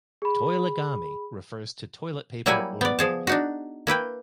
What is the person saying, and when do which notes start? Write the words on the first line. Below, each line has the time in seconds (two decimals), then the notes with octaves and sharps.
"Toilegami" refers to toilet paper origami.
0.22 G#4 B5
2.46 F#3 G3 A#3 E4 F#5 G#5
2.81 B3 D5
2.99 F3 G#4 A5
3.27 D4 D#4 F#4
3.87 A#3 E4 B4 G5